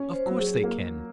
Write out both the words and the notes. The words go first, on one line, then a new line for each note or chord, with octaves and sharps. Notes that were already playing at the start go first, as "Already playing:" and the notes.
Of course they can.
Already playing: C#4
C5
F#3
G#4
A#3